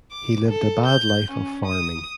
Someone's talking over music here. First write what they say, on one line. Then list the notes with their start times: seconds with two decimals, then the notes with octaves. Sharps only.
He lived a bad life of farming.
0.11 D6
0.48 A4
0.85 G6
1.31 C#4
1.66 D#6